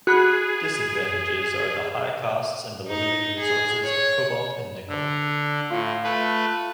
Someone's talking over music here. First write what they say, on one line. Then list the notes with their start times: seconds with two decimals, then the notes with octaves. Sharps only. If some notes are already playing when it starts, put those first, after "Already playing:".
Disadvantages are the high costs and the limited resources of cobalt and nickel.
0.07 F#4 G#4 B5 F#6
2.88 D#4
3.39 G#4
3.85 C#5
4.89 D3
5.70 A2 F4
6.04 A3 B4 A5